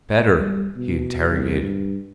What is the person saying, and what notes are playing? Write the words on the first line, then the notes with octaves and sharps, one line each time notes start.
"Better?" he interrogated.
G3
B2
C2
G2